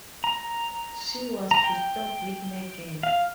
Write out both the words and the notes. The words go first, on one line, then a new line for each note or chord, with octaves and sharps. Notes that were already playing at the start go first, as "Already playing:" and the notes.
She was to stop with Megan.
A#5
A#5
G5
F5